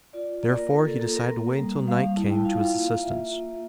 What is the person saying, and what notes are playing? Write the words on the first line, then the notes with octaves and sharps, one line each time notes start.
Therefore, he decided to wait until night came to his assistance.
F4 D5
A#3 D5
A#4
F4 A#4
A4
A#3 A4
A#4
A#3
G3
G3 F5
E4 A5
G5
F4 F5
A#3
F4 E5
A#3